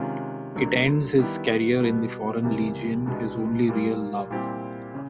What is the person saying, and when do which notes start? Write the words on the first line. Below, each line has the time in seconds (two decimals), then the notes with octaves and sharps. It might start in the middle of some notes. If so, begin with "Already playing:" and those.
It ends his career in the Foreign Legion, his only real love.
Already playing: C3 D#3 G#3 C#4 F4
0.55 D2 D3 F#3 A#3 D4
1.18 D#3 G3 B3 E4 G4
1.80 B2 G3 B3
2.43 C#2 C3 E3 G3 A#3
3.06 C2 B2 G#3 B3 D4
3.69 A#2 G3 A#3
4.30 A#2 G3 C4 E4 G4
4.94 C#3